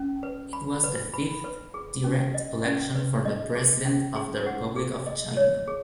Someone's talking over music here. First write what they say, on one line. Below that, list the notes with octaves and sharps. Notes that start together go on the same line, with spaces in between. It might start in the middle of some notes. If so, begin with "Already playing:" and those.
It was the fifth direct election for the President of the Republic of China.
Already playing: C#4
B4
B5
B4
B5
B4
G#4
C#4
D#5
C#4
B4
D#5
G#4
C#4
G#4
F#5
G#4
D#5
C#5
G#4